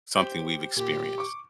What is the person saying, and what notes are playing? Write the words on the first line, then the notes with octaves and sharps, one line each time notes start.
something we've experienced.
G4 C5 G5
A#2 G4
C#6 D6